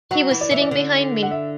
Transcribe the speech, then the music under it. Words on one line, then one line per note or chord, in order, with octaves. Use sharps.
He was sitting behind me.
F#3 F#5
E3
D5
E3 E5
D5
D3
F#5
E5